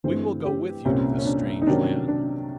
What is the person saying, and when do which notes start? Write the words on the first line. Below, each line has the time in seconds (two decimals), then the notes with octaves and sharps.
"We will go with you to this strange land."
0.04 G2 E3 A3 C4 C5
0.45 G4
0.85 C2 A#2 G3 C4 C#4
1.18 C#4
1.25 D4
1.62 D#4
1.67 C3 D#3 F#3 A#3 C#4 D4
2.08 D4